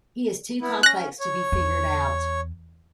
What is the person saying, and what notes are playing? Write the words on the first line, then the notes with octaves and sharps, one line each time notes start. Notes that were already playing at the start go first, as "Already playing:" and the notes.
He is too complex to be figured out.
B3 E4
C#4 F#6 A#6
C#5
E2